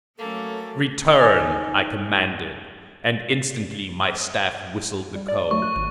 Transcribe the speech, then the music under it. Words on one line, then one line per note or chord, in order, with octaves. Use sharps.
"Return!" I commanded, and instantly my staff whistled the code.
F#3 A3 A#3 C#4 A4
D#4 G#5
G3
D5
F#3 A3 C#6
F#6
G#1